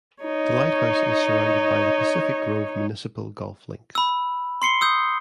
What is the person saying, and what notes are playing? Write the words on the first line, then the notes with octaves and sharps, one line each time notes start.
The lighthouse is surrounded by the Pacific Grove Municipal Golf Links.
D#4 C#5
B5 E6
C6 C7 C#7 G7
D#6 E6 G6